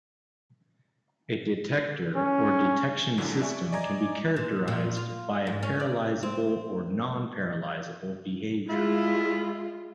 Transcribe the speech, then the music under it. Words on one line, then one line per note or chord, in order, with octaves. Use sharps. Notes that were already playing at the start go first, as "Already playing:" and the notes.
A detector, or detection system, can be characterized by a "paralyzable" or "non-paralyzable" behaviour.
C#4
A1 E2 A#2 D3 E3 F#3
D5 E5 G#5 C#6
D5 D#5 G#5 A#5 D6 G#6
A#2
A#2
F4
G#2
C#4
D5
C4
G#3 E4 F4